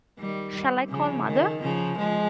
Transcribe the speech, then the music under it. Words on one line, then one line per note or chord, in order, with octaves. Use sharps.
Shall I call mother?
D#3 G3
C#3 F3
D#3
C#3 F3
F3 G#3